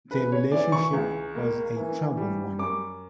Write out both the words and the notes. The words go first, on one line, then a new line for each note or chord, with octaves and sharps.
Their relationship was a troubled one.
C#3 B4
C#5
E3 D5
C#6
C#2
A#3
E3
G3
F#2 D6